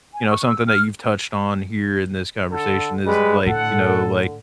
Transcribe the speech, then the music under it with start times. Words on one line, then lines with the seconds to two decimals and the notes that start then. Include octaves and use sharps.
you know, something that you've touched on here in this conversation is like, you know, like
0.13 G#5
0.29 C#6
0.44 E6
0.67 F6
2.52 D3 A4
3.06 G3 G#3 B4
3.46 A2 D3 A4 F#5